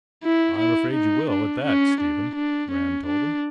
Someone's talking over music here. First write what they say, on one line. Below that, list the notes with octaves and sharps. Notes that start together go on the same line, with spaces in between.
"I'm afraid you will, at that, Stephen," Rand told him.
E4
E4
D#4
D4
C#4
D4
D4
C#4
D4